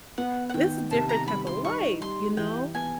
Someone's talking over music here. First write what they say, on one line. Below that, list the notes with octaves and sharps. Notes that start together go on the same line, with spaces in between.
this is different type of life, you know."
B3 F#5
F#5
D#3 G5
C3 A5
A#5
G3 B5
C6
D#4 C#6
G3 C6
E3 G5
B3 G#5